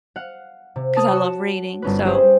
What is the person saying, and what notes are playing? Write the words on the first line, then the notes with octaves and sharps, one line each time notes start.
'cause I love reading, so
F5 F#5
C3
A5 D#6
F#4 C#5 E7
G1 C#4 B4
C#4 G4 G#4 C5 E5 G5